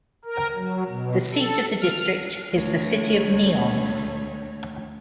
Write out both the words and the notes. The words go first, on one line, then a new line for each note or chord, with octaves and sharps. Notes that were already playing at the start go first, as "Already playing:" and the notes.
The seat of the district is the city of Nyon.
A#4
F#3
B2
A4
F6
D2 C#5